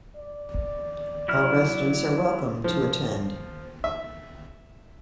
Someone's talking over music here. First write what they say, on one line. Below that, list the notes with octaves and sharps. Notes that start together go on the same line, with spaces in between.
All residents are welcome to attend.
D5
F#3 E4 F6
F3
E5